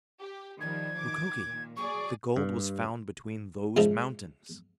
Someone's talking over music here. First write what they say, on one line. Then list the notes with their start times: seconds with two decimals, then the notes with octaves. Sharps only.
"Mukoki--the gold was found between those mountains!"
0.21 G4
0.61 D#3 F3 G3 G#6
0.98 D#3 D6
1.46 A#2 D#3
1.77 F#3 G#4 D5 C#6
2.36 G2
3.76 G#2 C#3 F3 D#4 E4